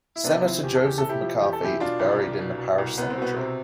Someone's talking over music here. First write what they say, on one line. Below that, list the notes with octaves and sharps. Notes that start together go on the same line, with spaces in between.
Senator Joseph McCarthy is buried in the parish cemetery.
E4
C3 B3 D4
F3 C4 E4
E2 G4
A4
E2 G4
C3 A4
E4 G4
F3
E2 G4
A4
E2 E4 G4
B2 D4 F4
C2
C2
B2
B2
C2
C2 B3
C4
B2 B3
C3 C4